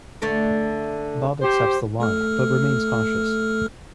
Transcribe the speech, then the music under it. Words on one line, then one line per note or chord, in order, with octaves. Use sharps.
Bob accepts the lie but remains cautious.
D3 A3 D4
G4 C5
A3 A4 F6